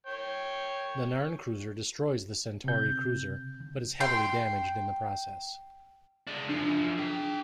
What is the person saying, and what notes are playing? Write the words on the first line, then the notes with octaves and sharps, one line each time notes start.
The Narn cruiser destroys the Centauri cruiser, but is heavily damaged in the process.
C#5 G5
C3 G6
G5 C6
G#3 D4
F#2 F3 D4
G#4 G5